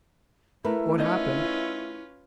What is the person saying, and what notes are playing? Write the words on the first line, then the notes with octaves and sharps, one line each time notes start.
"What happened?"
A3 E4 A#4 B4
C#4 D#4 F4 B4 C5 D#5